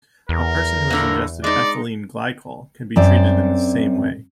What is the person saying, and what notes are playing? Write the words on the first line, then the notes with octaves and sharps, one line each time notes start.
A person who has ingested ethylene glycol can be treated in the same way.
E2 A#4
A2 D3 A#3
G#3 D#4 D5
F#2 C4 D5